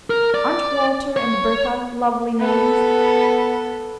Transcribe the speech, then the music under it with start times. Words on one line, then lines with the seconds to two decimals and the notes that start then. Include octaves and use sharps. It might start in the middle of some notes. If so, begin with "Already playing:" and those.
Aren't Walter and Bertha lovely names?
0.10 A#4
0.34 D5
1.17 C#5
2.39 B3 A4